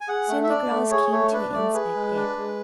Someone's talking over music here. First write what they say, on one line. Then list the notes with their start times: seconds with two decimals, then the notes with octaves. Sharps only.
Soon the girls came to inspect it.
0.01 G#5
0.08 G#4 F#5
0.29 A3
0.44 E5
0.49 D4 D5
0.71 A3
0.91 G#4 C#5
1.12 A3 C#5
1.32 D4 B4
1.53 A3 D5
1.73 G#4 B4
1.94 G#3
2.15 D4
2.37 G#3